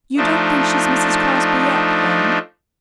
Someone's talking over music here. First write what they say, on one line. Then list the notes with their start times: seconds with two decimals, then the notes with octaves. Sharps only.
"You don't think she's Mrs. Crosbie yet, then?"
0.17 F3 A3 D4 D#4